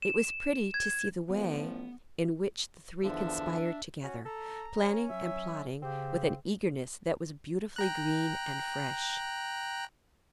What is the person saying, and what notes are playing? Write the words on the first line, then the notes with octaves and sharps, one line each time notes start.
It was pretty to see the way in which the three conspired together, planning and plotting with an eagerness that was beautifully green and fresh.
E7
G#6
A1 F3 B3
E2 D3 F3 D4 E5
C#4 F#4
A4 A#5
C#4
F#3 E5
C#3 C4 G4
G5 A#5 F#6